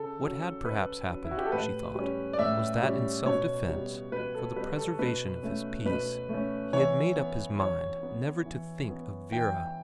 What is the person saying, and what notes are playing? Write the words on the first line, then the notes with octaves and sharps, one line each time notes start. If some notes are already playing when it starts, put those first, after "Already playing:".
What had perhaps happened, she thought, was that in self-defence, for the preservation of his peace, he had made up his mind never to think of Vera.
Already playing: C#3 A4
F#3 C#4
C#3 B4
F#3 C#4
E4
F#4
G4
A4
A2 B4
G3 C#4
D5
A2 E5
G3 C#4
B2 C#5
G3 B3
B2 B4
A4
G3 B3 B4
A4
B2 B4
A3 C#4
B2 B4
A3 C#4
E3 C#5
B3
E3 C#5
B3
E3
B3
E3 G5